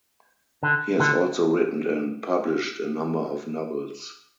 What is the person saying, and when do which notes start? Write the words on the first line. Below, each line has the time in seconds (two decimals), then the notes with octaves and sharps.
He has also written and published a number of novels.
0.63 D3
0.99 D3